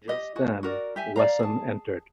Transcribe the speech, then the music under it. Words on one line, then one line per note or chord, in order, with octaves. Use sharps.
Just then Wesson entered.
G4 D#5
F#4 G#4
F#4 A#4 D5
G4 E5 G#5
D5 F5 A#5
G#4 A5